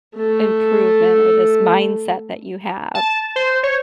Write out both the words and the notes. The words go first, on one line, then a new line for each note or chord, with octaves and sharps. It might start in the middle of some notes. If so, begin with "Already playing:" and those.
improvement, or this mindset that you have,
A3 A4
A5
C5
C#5